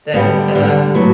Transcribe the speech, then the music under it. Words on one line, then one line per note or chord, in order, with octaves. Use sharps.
that, uh,
D3 G3 B3
D3 G3 B3
A2 F#3 B3